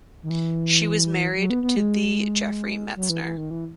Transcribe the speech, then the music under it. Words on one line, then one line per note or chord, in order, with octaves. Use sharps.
She was married to the Jeffrey Metzner.
D#3
E3
F#3
B3
B3
G#3
F#3
E3
E3
D#3
E3